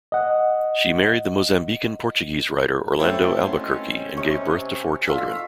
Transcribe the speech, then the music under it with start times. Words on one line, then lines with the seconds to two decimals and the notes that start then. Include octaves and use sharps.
She married the Mozambican-Portuguese writer Orlando Albuquerque and gave birth to four children.
0.12 D#5 F#5
2.99 B2 A3 C4 E4 F#4 C#5
3.43 D#2 B2 D#3 C#4 C6
4.17 C3 D#5 C#6
5.07 G#2 D3 F4 E5